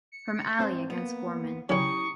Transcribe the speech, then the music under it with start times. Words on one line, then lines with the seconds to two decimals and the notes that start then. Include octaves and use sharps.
From Ali against Foreman.
0.12 C#7
0.59 G#2 C4 C5 C6
0.90 A#3 B3
1.69 C#3 F#3 C#4 E4 G4 A#5 C#6 D#6